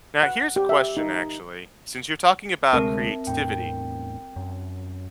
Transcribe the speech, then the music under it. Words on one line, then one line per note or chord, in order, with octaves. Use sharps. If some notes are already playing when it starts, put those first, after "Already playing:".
Now here's a question actually: since you're talking about creativity,
F#5
G4
E5
D#4
D2 C3 G#3 C4 A#4 E5 A5
E2 A2 G5
F#2